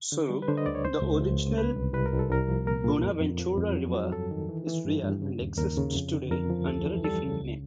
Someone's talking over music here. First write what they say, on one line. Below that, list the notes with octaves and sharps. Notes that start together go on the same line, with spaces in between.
So, the original Buenaventura River is real and exists today under a different name.
D3
G3
B4
D3 C5
D#5
D2 D5
C#5
C#2 C5
C#2
C#2
C#2
C2 B4
C2
C2 B4
A#4
C2
A4
C2 A#4
F3
A#2 A#4
A#2
F2
F2
F3
F2
F#3
F#3
G2 A4
D#3
E3
E3
G2
G2
C#3
D#2
D#2 A#4
C#3
F2
D3
F2 A#4
F3
D2 A4
E3
G3 A4
C#3
C#2